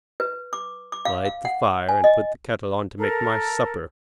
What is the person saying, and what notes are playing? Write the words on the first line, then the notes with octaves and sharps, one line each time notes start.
Light the fire, and put the kettle on to make my supper.
B4
D6
D6
F5
F5
F#5
G#5
D#5
A4 A#4